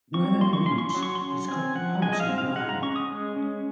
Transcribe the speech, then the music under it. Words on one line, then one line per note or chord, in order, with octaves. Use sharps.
Where they meet is called the parting line.
C4 C#6
A#3 C6
C#6
C#4 C6
C#6
F#3 C6
C#6
C6
C#4
C4 G#5
F3 F#5
G#3 G#5
D#5
F5
C4
F5
G#3 F#5
A#5
C#4 C#6
D#6
G#3
C#4